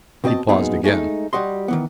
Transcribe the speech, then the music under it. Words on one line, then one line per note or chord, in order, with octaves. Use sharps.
He paused again.
B2 C4 G#4 D#5 A5
F#2 A#2 G#3 B3 D#4 G#4
G#3 A3 C#4 D#4
G3 F#4 D#5 C6
D#3 E3 B3